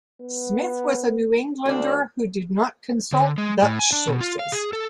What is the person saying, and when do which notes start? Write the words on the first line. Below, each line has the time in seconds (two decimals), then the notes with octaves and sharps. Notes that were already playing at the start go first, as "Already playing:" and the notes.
Smith was a New Englander, who did not consult Dutch sources.
0.21 B3
1.65 D2 C4 D4
3.12 D3
3.38 G#3
3.62 A2
3.79 G#5
3.93 D4
4.07 B2
4.20 F4
4.39 F5
4.52 G#4
4.73 A4